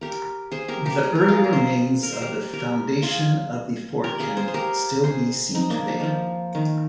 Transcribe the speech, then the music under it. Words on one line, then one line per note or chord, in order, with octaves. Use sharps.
The early remains of the foundation of the fort can still be seen today.
G4 A#4
G#4 C5
G4 A#4
G4 A#4
G#4
A#4
F4 G#4
A#4
G#4 C5
A#4
C5
G4 A#4
G4 A#4
F4 G#4
G4 A#4
F4 G#4
G#4 C5
C5
G4 A#4
G#4 C5
C4 D#4
A#3 D4
F3
D#3 F3
D#3